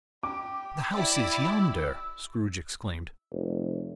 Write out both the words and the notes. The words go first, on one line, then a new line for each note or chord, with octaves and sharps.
"The house is yonder," Scrooge exclaimed.
G4 D6
E4 D5 E6
F1